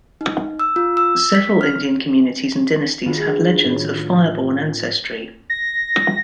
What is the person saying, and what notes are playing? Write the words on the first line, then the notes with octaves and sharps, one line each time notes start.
Several Indian communities and dynasties have legends of fire-born ancestry.
D#4
E6
F4
E6
B6
F6
D#3 F#3 B3 D4 F4 G#4
A2
A#6